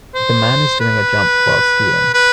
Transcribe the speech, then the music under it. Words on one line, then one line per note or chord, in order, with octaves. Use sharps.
The man is doing a jump while skiing.
C5
B4
B4